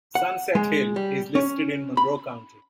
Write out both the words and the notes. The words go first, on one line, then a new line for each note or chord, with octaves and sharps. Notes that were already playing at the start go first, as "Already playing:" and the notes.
Sunset Hill is listed in Monroe County.
F#5
G#3
G3
C#4
B5